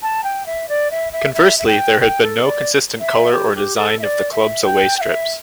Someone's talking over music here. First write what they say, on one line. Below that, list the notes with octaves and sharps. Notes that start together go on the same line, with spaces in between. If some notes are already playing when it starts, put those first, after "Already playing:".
Conversely, there has been no consistent colour or design of the club's away strips.
A5
G5
E5
D5
E5
E5
E5
E5
G5
G5
A4
D5
E5
G4
G4
A4
E5
D5
E5
G5
G5
E5